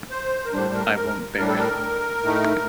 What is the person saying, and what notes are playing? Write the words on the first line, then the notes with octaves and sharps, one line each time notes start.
I won’t bear it.
C5
A#4
A2 G3 D4 C5
A#4
A#4
A2 G3 D4 A#4
A4
A#4
A2 A3 D#4